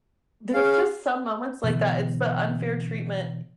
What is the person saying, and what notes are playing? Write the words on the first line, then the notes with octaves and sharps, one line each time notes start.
There's just some moments like that, it's the unfair treatment,
C#4 G#4 F5
B2 D3 E3 B3